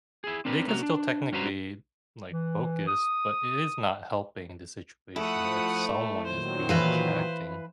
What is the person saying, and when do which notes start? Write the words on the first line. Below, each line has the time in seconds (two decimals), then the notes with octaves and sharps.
they can still technically, like, focus, but it is not helping the situation if someone is being distracting.
0.24 E4 G#4
0.45 C4 D4 A#4 B4
0.67 C3 A#3 C#4 F#4 A#5
0.83 D4
1.32 G2 C#4 F#4 B4 C5 A#5
2.31 E3
2.87 D#6
5.16 F3 A3 E4 F#5 D#6
6.26 A#2 D#3 F#3 C5
6.69 E3 B4 F5